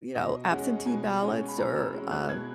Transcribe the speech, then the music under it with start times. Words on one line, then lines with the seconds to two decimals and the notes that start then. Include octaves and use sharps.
you know, absentee ballots or, uh,
0.15 B2 D#5
0.51 G#3 C#4 F#5
0.86 B2 G#5
1.22 G#3 C#4
1.48 B5
1.58 B2 A#5
1.76 E6
1.94 G#3 C#4
2.11 F#6
2.29 B2 G#6